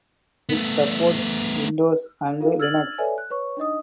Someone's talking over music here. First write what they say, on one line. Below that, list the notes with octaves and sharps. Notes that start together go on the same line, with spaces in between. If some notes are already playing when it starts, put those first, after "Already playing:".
It supports Windows and Linux.
A3 B3
F4 A4 A#4 F5
E6 F6 G#6 A6 F#7
A4 B4 C#5 D5 E5 G#5
F#6
B4 C#5 C#6
D4 D#4 D#5 D#6